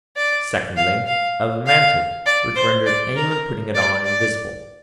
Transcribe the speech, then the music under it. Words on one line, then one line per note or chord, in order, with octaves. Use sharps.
Secondly, of a mantle which rendered any one putting it on invisible.
D5
F5
F5
F5
D5
C5
D5
A#4
D5
D5